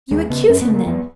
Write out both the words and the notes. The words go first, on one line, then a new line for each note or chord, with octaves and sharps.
You accuse him, then?
D#2 G#3
C#3 B3
F#2 C#4
B3
C#3
A#3
F2 B3